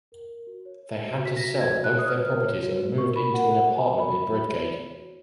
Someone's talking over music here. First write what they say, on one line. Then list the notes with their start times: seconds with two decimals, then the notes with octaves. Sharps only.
They had to sell both their properties and moved into an apartment in Bredgade.
0.12 A#4
0.29 A#4
0.47 F#4
0.65 C#5
0.83 C#5
1.01 F#4
1.18 F#4
1.25 B6
1.37 F#4 A#6
1.55 F#4
1.61 G#6
1.72 F#4
1.84 F#6
1.91 C#5
1.99 D#6
2.08 C#5 F6
2.27 A#4
2.44 C#5
2.62 F#4
2.79 F#4
2.98 A#4 C#6
3.16 F#4 B5
3.34 A#4 F#5
3.52 F#4 F#5
3.69 F#4
3.76 G#5
3.87 A#4
3.99 B5
4.05 F#4
4.24 F#4
4.41 F#4
4.59 C#5
4.77 C#5
4.95 F#4